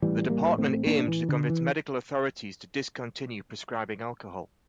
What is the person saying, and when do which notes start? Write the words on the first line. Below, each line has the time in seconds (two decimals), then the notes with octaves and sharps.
The department aimed to convince medical authorities to discontinue prescribing alcohol.
0.02 A1 A2 E3 G3
0.30 G3 A#3
0.58 A3 C4
0.86 A#3 D4
1.08 E3
1.29 D3
1.50 E3